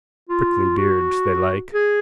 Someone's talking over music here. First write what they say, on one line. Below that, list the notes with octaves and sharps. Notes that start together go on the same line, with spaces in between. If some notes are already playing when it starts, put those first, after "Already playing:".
Prickly beards they like.
F4
F#4
G#4